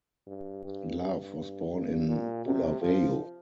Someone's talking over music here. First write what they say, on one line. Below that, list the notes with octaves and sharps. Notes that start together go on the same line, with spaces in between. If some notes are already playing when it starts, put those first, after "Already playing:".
Love was born in Bulawayo.
G2
G2
G2
G2
A#2
C3
F3